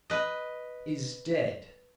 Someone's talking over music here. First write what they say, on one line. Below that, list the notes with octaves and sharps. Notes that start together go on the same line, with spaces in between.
"Is dead."
B4 D#5